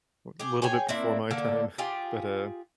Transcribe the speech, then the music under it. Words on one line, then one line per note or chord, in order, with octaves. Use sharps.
a little bit before my time, but uh,
G4 G#4
G#4 C#5 G5 G#5
A#3 C4 D4 E4
D3 A#3 A4
F4 G4 G#4